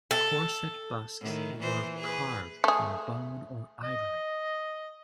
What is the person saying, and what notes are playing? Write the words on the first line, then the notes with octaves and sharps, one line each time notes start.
Corset busks were carved from bone or ivory.
A4
A2 D#3
A#2 E3 C5
G#4 B4
A3 G#4
D#5